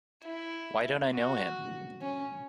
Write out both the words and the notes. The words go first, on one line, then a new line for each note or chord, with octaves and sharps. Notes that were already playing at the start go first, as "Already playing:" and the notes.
Why don't I know him?
E4
F#4
C#4